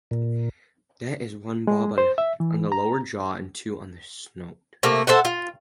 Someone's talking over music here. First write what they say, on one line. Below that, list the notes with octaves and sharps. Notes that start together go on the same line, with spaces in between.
There is one barbel on the lower jaw and two on the snout.
A#2
G#3
C5
E5
E3
A#5
C3 A3 A#3
A4 C5 E5 F#5
F4